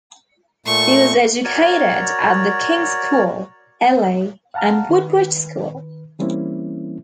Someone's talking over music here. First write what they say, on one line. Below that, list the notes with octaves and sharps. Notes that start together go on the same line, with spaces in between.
He was educated at The King's School, Ely, and Woodbridge School.
A#2 A3 C#6
F#4 A#4 C#5 D5
F5 F#5 A5 A#5 F6
D#3 B4
E3 G3 A#3 C4 C#4 E4